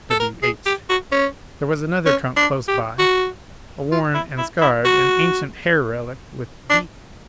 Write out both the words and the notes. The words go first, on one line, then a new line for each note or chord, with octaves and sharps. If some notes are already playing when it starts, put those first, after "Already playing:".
W. H." There was another trunk close by--a worn, and scarred, and ancient hair relic, with "B.
A4
A#4
G#4
G4
F#4
C#4
C#4
D4
G4
F#4
F4
E4
E4
E4
F#4
D4